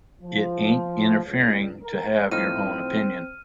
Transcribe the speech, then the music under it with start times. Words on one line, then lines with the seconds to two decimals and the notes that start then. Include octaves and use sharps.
It ain’t interfering to have your own opinion.
0.22 F3
1.24 C#2
1.82 A#4
2.31 A2 F3 C4 D#4 F6 D#7